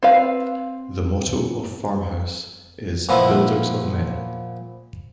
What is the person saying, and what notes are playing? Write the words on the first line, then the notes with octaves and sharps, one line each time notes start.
The motto of FarmHouse is "Builders of Men".
C4 B4 F5
A#2 F3 B3 E4